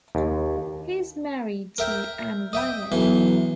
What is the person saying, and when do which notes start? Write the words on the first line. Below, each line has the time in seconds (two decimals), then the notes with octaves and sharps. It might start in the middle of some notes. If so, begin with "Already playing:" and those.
He is married to Anne Riley.
0.15 D#2
1.78 A#4 E5 G5
2.53 D#5 E5 G5
2.92 B1 E3